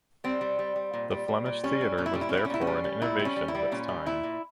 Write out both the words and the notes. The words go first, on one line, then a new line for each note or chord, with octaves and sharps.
The Flemish theatre was therefore an innovation of its time.
G3 C4
G3
G3
G3
A#2
G3
G3
A#2
G3 C#4
G3
A#2 C#4
E4
G3 C#4
E4
C#4
G3 E4
C#4
A#2 E4
C#4
G3
G3
A#2 E4
G3
C#4
G3
E4
G3
A#2 C#4
G3
A#2 E4
A#2